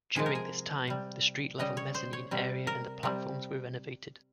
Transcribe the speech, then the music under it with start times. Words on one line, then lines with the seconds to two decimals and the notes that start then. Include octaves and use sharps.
During this time, the street level mezzanine area and the platforms were renovated.
0.15 C3 F3 G#3 G#4
0.26 A#4
0.35 G#4
0.87 C3 G3
1.59 C#3 G3 D#5
1.77 C#5
1.94 C5
2.13 C#5
2.31 C3 G3
2.67 A#4
3.03 C3 G3